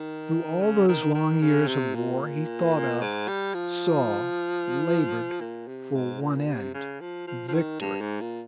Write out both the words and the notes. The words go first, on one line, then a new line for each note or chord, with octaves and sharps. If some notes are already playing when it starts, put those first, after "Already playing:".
Through all those long years of war he thought of, saw, labored for one end--VICTORY.
Already playing: D#3
C#3
D#3
D#3
C#3
C3
A#2
G#2
G3
F3
A#2
C3
G#2
A#2
C3
C#3
F3
F3
F3
D#3
G2
G#2
A#2